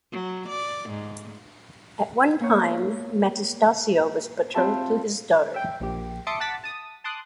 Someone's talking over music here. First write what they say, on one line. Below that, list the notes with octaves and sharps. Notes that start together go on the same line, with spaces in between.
At one time, Metastasio was betrothed to his daughter.
F#3
D5
G#2
A#3 B3 C#5
C4 F4 G4 E5 A5 B5
E5 G5
A#1 G4
E5 A5 C6 D6 D#6 C#7
F#5 A5 D6 A6 B6
A5 D#6
A5 C6 D6 D#6 F#6